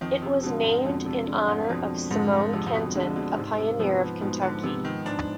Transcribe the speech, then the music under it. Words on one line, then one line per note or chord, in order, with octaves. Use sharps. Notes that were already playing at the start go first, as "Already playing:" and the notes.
It was named in honor of Simon Kenton, a pioneer of Kentucky.
F2 D#3
C3
B2 D3 G#3
G#2
F2 B2
C3
D3 G#3
G#2
F2 B2
G#2 D3 G#3
F2 C3
G#2
B2
B2 D3 G#3
B2
G#2 C3
C3
C3 F3 B3
G#2 B2
D3
C3 F3 B3
D#3
G#2 D4